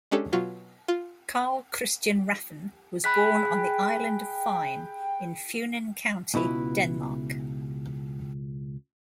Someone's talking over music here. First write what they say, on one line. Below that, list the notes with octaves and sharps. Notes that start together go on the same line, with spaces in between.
Carl Christian Rafn was born on the island of Fyn, in Funen County, Denmark.
G#3 C#4 D4 G4 A4
B2 F#3 F4 F#4
F4
G#3 G5 B5 F#6 B6
C#2 B2 E4 B4